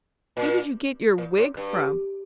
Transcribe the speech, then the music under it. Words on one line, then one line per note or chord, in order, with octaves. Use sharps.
Where did you get your wig from?
A#2
A#2
A2
G2